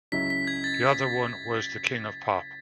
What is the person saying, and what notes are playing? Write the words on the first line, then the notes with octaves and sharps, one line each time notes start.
The other one was the King of Pop.
C#2 C#3 F#3 C#4 E4 B6
B6
G#6
A6